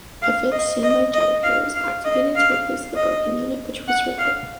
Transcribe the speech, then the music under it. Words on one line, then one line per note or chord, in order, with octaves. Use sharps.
A fifth standby generator was activated to replace the broken unit, which was repaired.
F5
D#5
D#5
D#5
F5
F5
D#5
F5
D#5
F#5
F5